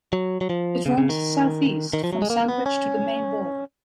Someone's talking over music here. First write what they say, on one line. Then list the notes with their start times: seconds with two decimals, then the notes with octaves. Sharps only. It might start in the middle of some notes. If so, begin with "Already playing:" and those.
It runs southeast from Sandwich to the Maine border.
0.13 F#3
0.41 F#3
0.50 F3
0.86 C#3
0.98 C#3
1.09 D#3
1.93 D#3
2.04 F3
2.13 F#3
2.22 G#3
2.30 A#3
2.49 B3
2.66 C#4